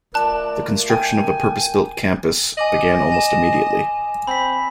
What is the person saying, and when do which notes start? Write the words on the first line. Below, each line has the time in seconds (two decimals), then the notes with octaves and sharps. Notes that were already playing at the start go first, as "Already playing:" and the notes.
The construction of a purpose built campus began almost immediately.
0.14 A3 F4 A#4 D5 A5 F#6
0.90 G5 G#5
2.58 D#5 G#5 D6 F#7
3.12 G#5 E7
4.27 C4 B5 B6